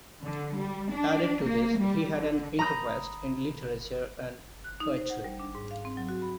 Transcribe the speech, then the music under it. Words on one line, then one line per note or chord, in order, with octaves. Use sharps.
Added to this, he had an interest in literature and poetry.
D3
G3
D4
A#3
G3
D3
A#5 B5 D#6 G6
F#6
D#4
C5
F#5
G3
D4
G#2
F5
C4
F#3
F#4
B5